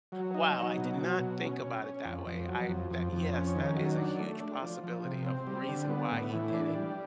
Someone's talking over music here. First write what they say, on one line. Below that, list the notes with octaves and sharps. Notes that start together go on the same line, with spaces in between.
Wow, I did not think about it that way. I that yes, that is a huge possibility a reason why he did it.
F#3
D#4
F#3
B2
F#3
B2
C#4
C#4
C#4
F2
F2
F#3
F2
F2
F2
C#4
D#3
F#3
D4
A3
D4
F3
F3
C3
C4
G3
D3
B3
A2
E3
D4
G3